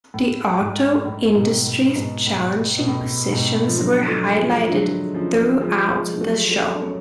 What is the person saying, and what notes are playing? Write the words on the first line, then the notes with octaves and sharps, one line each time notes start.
The auto industry's challenging positions were highlighted throughout the show.
A2
G#2
A2
G#2 B2
A2
G#2 B2
A2
B2
A2
G#2 B2
F3
D3 F#3
F#3 A3
F3 G#3
D3 F#3
C#3 F3
F3 G#3
F3 G#3
F#3 A3
F#3 A3
A3 C#4